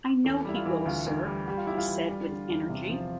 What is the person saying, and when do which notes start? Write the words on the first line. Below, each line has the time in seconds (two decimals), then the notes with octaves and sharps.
'I know he will, Sir,’ he said, with energy.
0.24 E2 A4
0.45 G3 E4
0.55 F4
0.65 E3
0.86 D2 F4
1.06 D2
1.26 G3
1.47 G3 G4
1.57 F4
1.67 G3 E4
1.77 F4
1.87 E3
2.08 G3
2.29 D3
2.49 E2
2.70 C3
2.90 F3